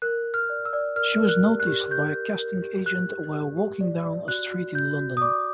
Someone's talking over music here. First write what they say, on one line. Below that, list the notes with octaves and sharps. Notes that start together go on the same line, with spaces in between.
She was noticed by a casting agent while walking down a street in London.
A#4 F#6
A#4
F6
D5
E6
D5
A#4 F6
A#4
F#6
G4
F#6
G4
G4 G6
A#4
A#4
G4
G4 F#6
G4
G4
G4
D5
D5
F#4 F#6
F#4
F#4 G6
F#4
D#6
D5 D6